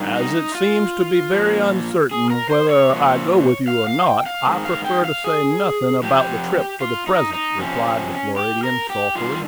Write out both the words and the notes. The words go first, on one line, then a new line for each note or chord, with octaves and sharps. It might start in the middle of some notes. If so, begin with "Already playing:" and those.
"As it seems to be very uncertain whether I go with you or not, I prefer to say nothing about the trip for the present," replied the Floridian, sulkily.
Already playing: G2 D#3
D#4
F4
A#2 F3
G#4
A#4
C5
C#5
A#2 F3
F5
F5
G5
F5
G#2 D#3
F5
G5
F5
G#4
F2 C#3 F3 G4
F4
D#4
D#4
F2 C3 F3 C#4
G4
A#4
G4
G2 D#3 F4